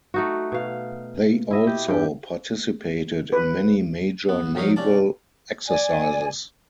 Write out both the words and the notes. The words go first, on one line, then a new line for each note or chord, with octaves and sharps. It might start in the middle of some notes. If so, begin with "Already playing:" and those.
They also participated in many major naval exercises.
A3 D#4 F#4
B2 F5
E4 D#5 E5
G4
G2 G4 G5
B4
B3
A#1 F#3 D#4 C#5 F5
C2 C#4 D5 A5
D5 G#5